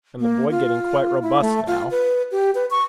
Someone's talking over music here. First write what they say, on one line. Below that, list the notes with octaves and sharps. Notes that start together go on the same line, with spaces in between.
And the boy getting quite robust now!
A#3
F4
E4
A3
F4
B4
G4
B4
C#6